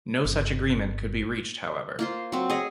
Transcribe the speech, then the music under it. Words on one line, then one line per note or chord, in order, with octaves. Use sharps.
No such agreement could be reached however.
G1
A#3 F4 C5
F#3 C4
G#4 C#5 D#5